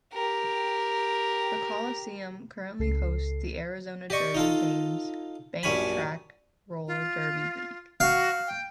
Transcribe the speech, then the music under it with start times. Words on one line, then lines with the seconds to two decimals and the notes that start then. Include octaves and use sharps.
The Coliseum currently hosts the Arizona Derby Dames banked track roller derby league.
0.14 G4 A#4
2.79 C#2 A4 C7
4.10 G4 D5 D#5 C#6
4.35 D#4 F4 A4
5.63 A#1 F#2 G3 C#5 G#5 B5
6.87 F4
8.00 F#4 F5
8.47 G5